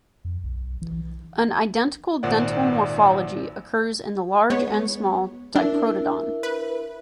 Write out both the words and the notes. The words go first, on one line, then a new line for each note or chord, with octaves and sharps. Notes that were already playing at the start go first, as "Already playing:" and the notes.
An identical dental morphology occurs in the large and small "Diprotodon".
F2
B1
E3
G#1 A#2 C5 D5 F#5
G#3 B3 C#5
D4 E4 A#4 E5
B4